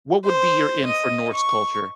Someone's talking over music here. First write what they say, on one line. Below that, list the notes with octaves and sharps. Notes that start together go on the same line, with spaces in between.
what would be your in for Norse culture?
C5
D#5
C#6